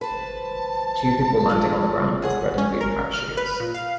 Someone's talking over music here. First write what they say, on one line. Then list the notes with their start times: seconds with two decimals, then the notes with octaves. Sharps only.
Two people landing on the ground with red and blue parachutes.
0.01 B4 C5 A5
1.48 A2 F3 G#3
2.22 D#2 G#4 F#5
2.58 C#4
2.81 A#4
3.14 F6
3.37 B4
3.60 A#2
3.74 F5